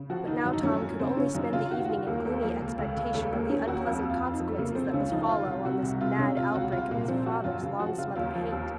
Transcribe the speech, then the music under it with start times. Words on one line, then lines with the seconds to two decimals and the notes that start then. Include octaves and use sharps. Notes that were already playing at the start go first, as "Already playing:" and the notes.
But now Tom could only spend the evening in gloomy expectation of the unpleasant consequences that must follow on this mad outbreak of his father's long-smothered hate.
Already playing: C#3
0.10 F3 F#4
0.27 D#3 D#4
0.45 F#2
0.53 D#4
0.63 F#2 C#4
0.82 F#2
0.99 C#3 C4
1.17 C#3 C#4
1.35 F#2 D#4
1.53 C#3 F4
1.71 D#3 F#4
1.85 F#4
1.89 D#3 F4
2.07 D#2 A#3
2.25 D#2 A3
2.42 F3 A#3
2.61 C#2
2.78 C#2 A3
2.97 C#2
3.14 D#2 A3
3.33 D#2 A#3
3.50 D#2 C#4
3.68 D#2 F#4
3.86 F2 F4
4.04 F2
4.10 F4
4.22 F2
4.34 D#4
4.40 F3
4.48 A3
4.58 C#3 A#3
4.75 F3 C4
4.94 C#2 C#4
5.12 F3 D#4
5.29 D#3 F4
5.47 C2
5.65 C3 F#4
5.83 C2
6.00 C3 F4
6.18 C3 C#4
6.37 C3 F4
6.55 C#2 F#4
6.72 C2 F4
6.91 A#2 A#3
7.08 F3 C4
7.26 F3 F#4
7.44 F#2 F4
7.63 C#3
7.80 F3 F#4
7.98 C#3 F4
8.16 D#2 F4
8.35 F3
8.52 D#2